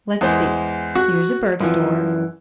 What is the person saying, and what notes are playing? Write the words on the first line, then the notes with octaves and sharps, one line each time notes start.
Let's see--here's a bird store.
E2 G#3 C5
F#4
F#2 E3 F3